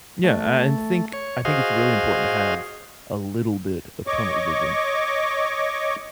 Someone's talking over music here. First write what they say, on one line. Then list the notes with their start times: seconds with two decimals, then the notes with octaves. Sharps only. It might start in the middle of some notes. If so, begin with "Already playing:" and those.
Yeah, a and think I think it's really important to have a little bit of tunnel vision.
0.24 A3
1.13 C#5
1.45 F#4 G#4 C5 D#5 F5
4.07 C#5 D#5 C#6 D6